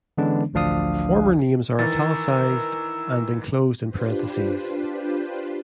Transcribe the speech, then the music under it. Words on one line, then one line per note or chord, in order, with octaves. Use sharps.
Former names are "italicized" and enclosed in parentheses.
D3 E3 G#3 B3 C#4 D4
A1 D2 F3 D4 F5 D#6
D#3 E3 A#4 E6 A6
D4 F4 G4 B4 C5